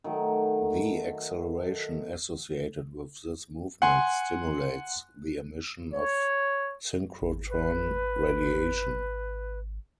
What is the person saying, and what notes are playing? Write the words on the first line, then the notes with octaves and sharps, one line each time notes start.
The acceleration associated with this movement stimulates the emission of synchrotron radiation.
D#3 F#3 A3
F#5 G#5 C6
C#5
G#1
B4